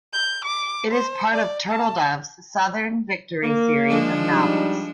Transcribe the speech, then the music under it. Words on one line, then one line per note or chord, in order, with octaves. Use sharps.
It is part of Turtledove's Southern Victory series of novels.
G6
D6
C5
D5
A5
A#3
F3 G#3 D4
G3 D#4